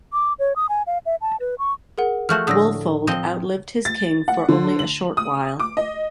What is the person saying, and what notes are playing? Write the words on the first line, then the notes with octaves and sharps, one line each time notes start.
Wulfoald outlived his king for only a short while.
D6
C#5
D#6
G#5
F5
E5
A5
B4
C#6
G#4 A#4 F#5
F3 A3 F#4 F6 G6
A2 D3 D#6 E6 A#6
F3 C4 D#5
A6
F#5
D3
F#7
D#6
D6
D#5